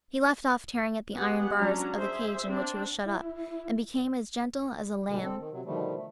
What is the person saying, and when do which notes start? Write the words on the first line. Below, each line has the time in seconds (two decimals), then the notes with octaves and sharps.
He left off tearing at the iron bars of the cage in which he was shut up, and became as gentle as a lamb.
1.17 G#3 B3 G4 G#4 F#5
1.59 F#3 C#4 D4 A#5
1.94 G#4 C5 E5
2.48 C4 D4
3.06 E4
5.07 B2 D3 G#3
5.22 C4 A4
5.39 D#3
5.51 C3 F#3
5.65 B2 D3 D#3 F3 G3 A3
5.95 A3